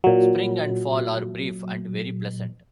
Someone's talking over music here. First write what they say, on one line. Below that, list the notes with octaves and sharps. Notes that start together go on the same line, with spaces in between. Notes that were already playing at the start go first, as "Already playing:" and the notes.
Spring and fall are brief and very pleasant.
A#2 F#3